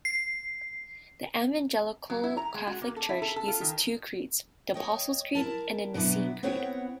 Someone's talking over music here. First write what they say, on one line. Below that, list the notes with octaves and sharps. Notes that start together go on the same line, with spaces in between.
The Evangelical Catholic Church uses two creeds: the Apostles' Creed and the Nicene Creed.
C7
F#3
E4
A#5
G#3
F#4
A#3
A4
E4
A4
A4
F4
D#3
C#5 D#5 G5
E4 A#4 A5
B2 F#3 B3 D4 E4
B3 C4 E4 C#5 F#5 G5